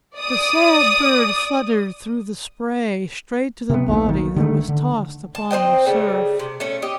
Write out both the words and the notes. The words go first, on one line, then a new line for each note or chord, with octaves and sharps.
The sad bird fluttered through the spray straight to the body that was tossed upon the surf.
D5 D#6
C3 B3
A#1 D#2 A3
D#3
D3 D#3 A3
D3
A5
C4 C5 D#5 G5
C#3 G3 A3
C3
A3 C#4
G4 D#5